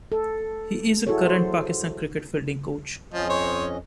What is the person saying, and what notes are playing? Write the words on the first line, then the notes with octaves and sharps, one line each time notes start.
He is the current Pakistan cricket fielding coach.
A4
E4 F#4 G#4 A4 C#5
C5
F2 F3 C#4 D#5
C5 C#5